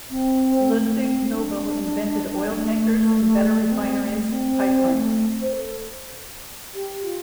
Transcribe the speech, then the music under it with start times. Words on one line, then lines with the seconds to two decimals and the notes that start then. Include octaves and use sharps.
Ludvig Nobel invented oil tankers, and better refineries, pipelines.
0.10 C4
0.70 A3
1.00 C4
1.31 D4
2.51 A3
3.61 A3
3.71 C4
4.01 A3
4.32 C4
4.92 A3
5.41 C5
5.53 A4
6.73 G4
7.02 F4